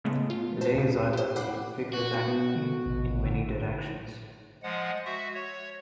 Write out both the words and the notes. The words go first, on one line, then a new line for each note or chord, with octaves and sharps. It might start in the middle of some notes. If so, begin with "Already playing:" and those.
Eleazar developed a vigorous activity in many directions.
A2 C#3 G#3 A3 B3
F4
C5 A5 B6
D2 B2
G4 C5
F#5 G5 B5 D6 F#6 C7
F#4
B2 B3
D3
A1 B2
G#2 D3
F3 G#3 F#5
F#4 E5
C#5